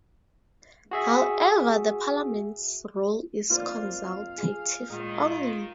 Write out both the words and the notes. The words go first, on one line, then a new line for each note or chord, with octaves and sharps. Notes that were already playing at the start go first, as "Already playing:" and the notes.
However, the parliament's role is consultative only.
F#4 G#4 E5
F2 A#3 F4 C5 D5 F5
G#4
A#2 D#3 G#3 D#4 F4